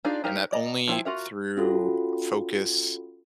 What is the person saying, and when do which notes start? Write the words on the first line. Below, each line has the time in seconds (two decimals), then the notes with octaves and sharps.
And that only through focus
0.05 D4 D#4 F4 G#4 D5
0.24 D#4 G4 A#4 C5 F5
0.52 D5 D#5 A#5
0.88 F3 E4 C5 G5
1.05 F4 F#4 A#4 E5
1.57 C#4 F4 F#4 A4